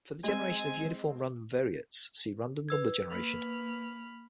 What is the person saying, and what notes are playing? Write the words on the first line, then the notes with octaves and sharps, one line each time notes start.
For the generation of uniform random variates, see Random number generation.
G#3 C4 G#5
B4 E6 G#6
A#3 B5 F6